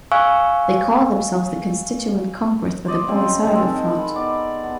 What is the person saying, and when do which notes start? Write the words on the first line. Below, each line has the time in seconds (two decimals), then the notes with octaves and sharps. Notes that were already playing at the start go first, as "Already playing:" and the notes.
They called themselves the Constituent Congress of the Polisario Front.
0.12 F5 G#5 C#6 E6 F#6
2.85 F4 C5 D5 D#5
3.08 C#3 F3 G#3 C4
3.47 D#3 G#3 C4 A4
3.87 B5
4.15 B3 D5
4.64 B3